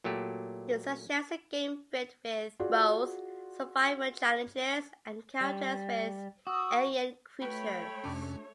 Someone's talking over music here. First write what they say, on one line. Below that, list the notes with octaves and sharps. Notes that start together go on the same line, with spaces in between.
It suggests a game filled with both survival challenges and encounters with alien creatures.
A#2 F#3 A3 G4
F4 F#4 G#4 D5
G3
F#4 D#6 E6
A3 F#4 B4 C#5 G5 B5
F2 C3 C#4 D4 F#4